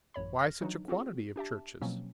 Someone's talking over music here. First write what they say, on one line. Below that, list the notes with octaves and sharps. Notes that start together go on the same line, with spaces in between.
"Why such a quantity of churches?"
A1 F#2 C#5 B5
F6 A#6
E3 F#3 D4 D#4
C4 F4 F#4 G#4
D4 G4 E5 A5
B2 F3 F#3 A#3 C4 C#4